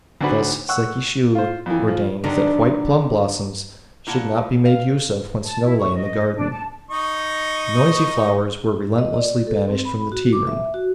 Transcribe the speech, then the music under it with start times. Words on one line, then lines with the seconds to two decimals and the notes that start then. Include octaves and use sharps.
Thus Sekishiu ordained that white plum blossoms should not be made use of when snow lay in the garden. "Noisy" flowers were relentlessly banished from the tea-room.
0.21 D2 G#2 D4 F#4 B4
0.69 F#5 C#6 E6 F#6
1.35 F4 C5
1.66 F2 E3
1.88 F3
2.24 D3 D#3 F#3 B3 D4 G4
4.07 A#2 E4 F#5 A5
4.65 F5
5.45 A5
5.63 E4
5.78 C#6
5.95 D#5
6.36 D4
6.51 A5
6.91 D#4 D#5 C#6
8.98 D#5
9.13 D5
9.47 A4
9.68 C4
9.85 B5
10.12 F#4
10.33 D6
10.47 E5
10.74 F#4